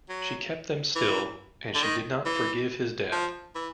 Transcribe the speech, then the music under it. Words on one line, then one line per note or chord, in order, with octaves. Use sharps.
She kept them still, and she did not forgive his death.
F#3
E3
D3
D#3
E3
F3
E3